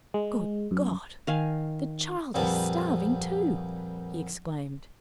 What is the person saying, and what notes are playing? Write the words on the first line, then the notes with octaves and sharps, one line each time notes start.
"Good God! the child is starving, too," he exclaimed.
G#3
F#2
D#3 F5 G#5
F2 A#2 G3 B3 C4 A5